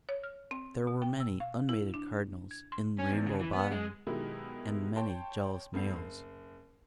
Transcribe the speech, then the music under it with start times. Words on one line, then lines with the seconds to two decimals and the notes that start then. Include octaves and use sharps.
There were many unmated cardinals in Rainbow Bottom, and many jealous males.
0.09 C#5
0.23 F6
0.51 C4
0.87 B2
1.02 G5
1.20 E6
1.40 F5
1.69 E4
1.94 D4
2.51 G#6
2.72 C6
2.98 C#4
3.11 E2
3.26 C#3
3.40 E3
3.53 B3
3.71 G#3
4.07 B2 D#3 F#3 G#3 E4 G4
4.96 C#5 G5 A5 C6
5.74 F1 G2 B3 C7
5.95 F#1